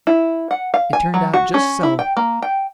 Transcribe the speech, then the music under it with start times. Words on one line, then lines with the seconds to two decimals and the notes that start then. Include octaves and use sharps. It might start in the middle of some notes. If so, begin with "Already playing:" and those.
It turned out just so.
0.07 E4
0.51 F#5
0.74 F5
0.93 G#5
1.14 F#3
1.34 F#4
1.54 C#4
1.83 E4
1.99 G5
2.17 A#3
2.42 G5